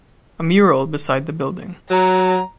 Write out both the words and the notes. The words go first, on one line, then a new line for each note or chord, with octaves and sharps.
A mural beside the building.
F#3 A#5